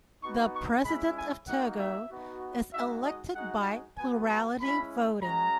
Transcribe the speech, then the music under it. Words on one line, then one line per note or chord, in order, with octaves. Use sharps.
The President of Togo is elected by plurality voting.
B3 D#4 F#4 C#6
C#6
G#3 C#4 E4 B5
G#5
A#3 D#4 F#4 F#5
E5
B3 D#4 F#4
G#3 D#4 F#4 E5
D#5
G#3 D#4 F#4 F#5
B3 F#4 G#5
A#5
G#3 C#4 E4 B5
G#3 C#4 F#4 A#5